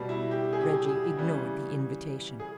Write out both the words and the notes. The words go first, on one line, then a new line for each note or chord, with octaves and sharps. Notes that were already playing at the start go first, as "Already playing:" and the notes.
Reggie ignored the invitation.
Already playing: B2 G3
E4
G4
G#4
G4
G#4
G#4
C#3 E3 G3
G#4